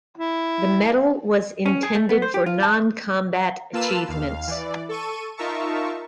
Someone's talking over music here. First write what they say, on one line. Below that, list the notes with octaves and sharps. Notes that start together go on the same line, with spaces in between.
The medal was intended for non-combat achievements.
E4
C#4
G#4
A3
B3
C5
G4
F4
A5
A#3 F4 B4 A5 E6 E7
D#2 F5
E3 D5
A4 C#6 D#7
D#4 F4 A#4 E5 A5 C#6